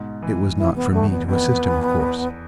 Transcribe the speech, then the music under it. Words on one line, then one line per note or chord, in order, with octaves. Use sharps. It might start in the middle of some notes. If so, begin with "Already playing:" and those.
It was not for me to assist him, of course.
Already playing: G#2 B2
E3
F1 E4
B3
E2 A3
B3
F2 B3
E3
E2